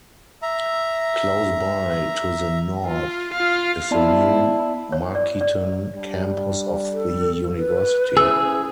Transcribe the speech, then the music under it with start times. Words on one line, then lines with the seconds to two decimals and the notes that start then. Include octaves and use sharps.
Close by to the north is the new Markeaton campus of the university.
0.42 E5 A#5
2.87 F4
3.34 F4 F5
3.91 B3 E4 D5 A5
4.92 C#5
5.15 D5
5.41 D5
5.94 G3 D4
6.91 A4
7.55 B4
8.17 C#4 E4 G#4 E6